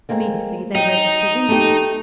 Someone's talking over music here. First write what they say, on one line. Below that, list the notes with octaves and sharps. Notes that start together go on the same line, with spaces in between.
Immediately, they registered interest.
G#3 A#3 C4
D#4 G5
A3 G4